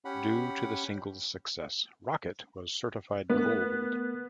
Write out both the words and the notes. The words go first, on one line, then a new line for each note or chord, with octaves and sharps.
Due to the single's success, "Rocket" was certified gold.
C#4 G4 F#5 B5
A3 B3 A#4